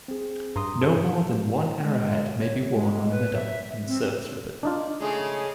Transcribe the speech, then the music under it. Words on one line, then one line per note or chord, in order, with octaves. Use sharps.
No more than one arrowhead may be worn on a medal and service ribbon.
C4 G#4
G2 A#5 C6 D#6
A4
G#3
C#5
G#3
B4
E5
C4
D4 D#4 F4 D5
C#3 G#3 A3 G#4